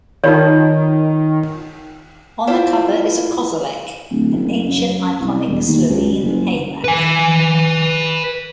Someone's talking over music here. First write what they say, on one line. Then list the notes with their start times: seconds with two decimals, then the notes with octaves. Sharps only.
On the cover is a kozolec, an ancient iconic Slovene hayrack.
0.24 D#3 D#4 F4 C#5
2.47 E4 F4 C5 E5 F5 G5
4.11 D1
4.34 F#1
4.68 F#2
5.20 C2
5.48 E1
5.67 D#2
5.89 C#2
6.23 F#1
6.84 B4 G#5